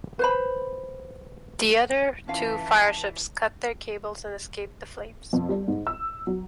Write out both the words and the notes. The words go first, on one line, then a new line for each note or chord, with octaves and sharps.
The other two fireships cut their cables and escaped the flames.
B4 C5 B5
E3 C#4 F4 F5 A5
F2
G3
G#2
E6
F#3